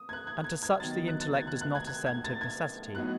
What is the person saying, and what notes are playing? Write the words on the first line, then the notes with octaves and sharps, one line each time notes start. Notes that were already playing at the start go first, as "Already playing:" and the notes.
And to such the intellect does not assent of necessity.
Already playing: D#6
G#6
F#6
G#6
G#6
G#6
D#3 F#3 B3 D#4 A6
F#6
A6
G#6
F#6
F#6
G#6
G#6
G#6
A6
G#6
A2 F#3 B3 D#4 F#6